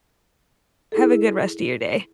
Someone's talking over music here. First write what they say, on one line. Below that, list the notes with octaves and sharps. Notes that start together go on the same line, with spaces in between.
Have a good rest of your day.
E4 G#4 A4